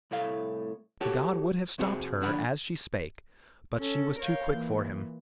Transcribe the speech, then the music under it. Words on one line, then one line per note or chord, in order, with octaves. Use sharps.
The god would have stopped her as she spake, but she was too quick for him.
C2 A2 A3 F5
F#4 G4 A4 C#5
C3 C4 F#4 G#4
C2 F2 D3 D4 F#5 B5
C#4 A4
A#4 C#5 F5 G6
A#2 E3